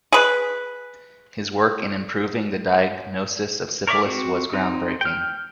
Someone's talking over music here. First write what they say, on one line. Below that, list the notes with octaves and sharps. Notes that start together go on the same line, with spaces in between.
His work in improving the diagnosis of syphilis was groundbreaking.
G#4 B4
A#4 C#5 D5 E5 D6
C4 F#4
C4 D#4
G5 F6